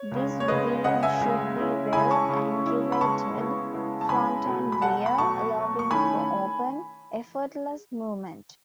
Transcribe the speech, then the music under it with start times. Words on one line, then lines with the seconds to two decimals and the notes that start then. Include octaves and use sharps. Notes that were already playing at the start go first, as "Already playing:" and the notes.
This breed should be well-angulated front and rear, allowing for open, effortless movement.
Already playing: C#5
0.12 C#2 C#3 G#3
0.40 C#5
0.48 C#2 C#3 G#3 B4 D#5
0.84 C#2 C#3 G#3 D#5 F#5
1.03 E5 G#5
1.21 C#2 C#3 G#3
1.57 C#3 G#3 C#4 E4
1.93 C#3 G#3 C#4 E4 G#5 B5
2.11 A5 C#6
2.29 C#3 G#3 C#4 E4
2.65 C#3 G#3 C#4 E4
2.92 B5
3.01 C#3 G#3 B3 E4 A5 C#6
3.37 C#3 G#3 B3 E4
3.73 C#3 G#3 B3 E4
4.01 A5
4.09 C#3 G#3 B3 E4 G#5 B5
4.46 B2 F#3 A3
4.72 B5
4.82 B2 F#3 A3 F#5 A5
5.06 B5
5.18 B2 F#3 A3 A5 C#6
5.54 B2 F#3 A3
5.79 C#6
5.91 D#3 A3 C#4 E4 G#5 B5